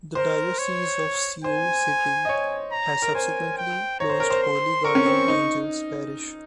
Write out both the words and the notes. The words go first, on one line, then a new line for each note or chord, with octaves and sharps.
The Diocese of Sioux City has subsequently closed Holy Guardian Angels Parish.
A#4 C5
C#5
C5 G#5
D#5
C#5
A#5
A#4
C5 G#5
G5
C#5 A#5
C5
A#4
C5
C6
A#4 C#6
C#4
C4
D#4